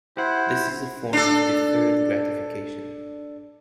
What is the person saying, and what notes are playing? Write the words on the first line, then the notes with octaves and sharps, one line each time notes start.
This is a form of deferred gratification.
E4 G4 C5 F#5
D4 A4